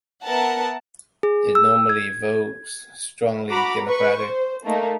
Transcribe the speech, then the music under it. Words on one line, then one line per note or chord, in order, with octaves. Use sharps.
It normally votes strongly Democratic.
B3 A#4 E5 F#5 A5
G#4
E6
G#6
F#4 A#5 B5 D6
B4 C#6
C5
A3 A#3 D#4